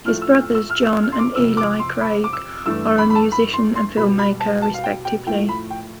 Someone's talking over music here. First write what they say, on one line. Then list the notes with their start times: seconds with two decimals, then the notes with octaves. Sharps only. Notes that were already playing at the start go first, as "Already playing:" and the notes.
His brothers, John and Eli Craig, are a musician and filmmaker respectively.
0.05 A2 F3 A3 F6
0.22 E6
0.55 E6
0.70 F6
0.86 E6
1.03 F6
1.12 C6
1.19 D6
1.35 F3 E6
1.38 F2 C3
1.57 D6
1.79 C6
2.01 B5
2.24 D6
2.33 E6
2.66 G2 E3 A3 E6
2.98 B5
3.10 B5
3.15 A5
3.32 B5
3.53 C6
3.75 C6
3.97 B2 B5
4.01 G3
4.19 B5
4.40 A5
4.62 A5
4.74 F5
4.84 G5
5.05 G5
5.27 A2 F3 A3 G5
5.49 B5
5.70 G5